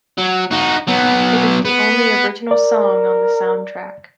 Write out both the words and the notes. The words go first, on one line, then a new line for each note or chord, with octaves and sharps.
It is the only original song on the soundtrack.
F#3
D#4 F#4
F#3 B3
B3
A#4 D5